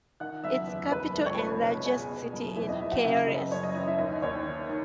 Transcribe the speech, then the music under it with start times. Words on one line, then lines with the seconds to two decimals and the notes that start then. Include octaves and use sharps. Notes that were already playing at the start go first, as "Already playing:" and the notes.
Its capital and largest city is Kielce.
0.20 D#3 F#5 F#6
0.44 F#1 E5 E6
0.67 E2
0.91 F#1 B4 B5
1.15 C#2 A4 A5
1.26 C#5 C#6
1.38 C#2 B4 B5
1.62 B2 B4 B5
1.85 B2 G#4 G#5
2.10 B2
2.33 F#1
2.56 E2 E4 E5
2.69 D#5
2.80 F#1 E4 E5
2.92 F#4 F#5
3.04 C#3 E4 E5
3.27 F#1 D#5
3.51 F#2 C#5
3.63 D#5
3.75 E3 D#5
3.87 E4 E5
3.98 D#2 D#5
4.22 D#2 C#5
4.46 D#3
4.69 D#3